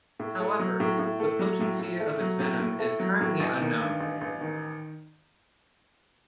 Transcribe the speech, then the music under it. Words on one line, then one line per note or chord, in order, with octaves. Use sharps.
However, the potency of its venom is currently unknown.
A2
A3
F#3
A2
A2
A3
F#3
A2
A2
A3
F#3
A2
A2
A3
F#3
A2
A1
D#3
G2
A1
A1
D#3